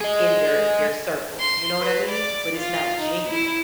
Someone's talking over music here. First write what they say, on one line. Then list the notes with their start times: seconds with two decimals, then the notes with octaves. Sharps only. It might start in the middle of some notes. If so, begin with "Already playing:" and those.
in their their circle, you know what I mean? But it's not genuine.
0.01 G#4 D#5
1.40 C6
1.79 B4
2.11 D5
2.57 F4
3.00 D#4
3.29 E4